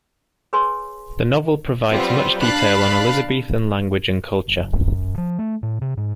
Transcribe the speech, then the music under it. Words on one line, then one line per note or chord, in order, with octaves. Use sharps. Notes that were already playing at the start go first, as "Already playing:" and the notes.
The novel provides much detail on Elizabethan language and culture.
G#4 B4 C#5 G#5 C6
F#3 G3 B3 C4 F4
D4 F5 A5 B5 F#6 A6
F#1
F#2
F3
A3
A2
C3
G#2